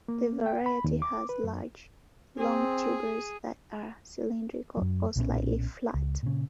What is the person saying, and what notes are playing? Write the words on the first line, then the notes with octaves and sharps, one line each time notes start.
The variety has large, long tubers that are cylindrical or slightly flat.
A#3
G5
B5
D#2
D6
B4
F#2
C4 G#4
F#2 F#3
B1 A#2 B3 C#4
C#2
A#2 C#3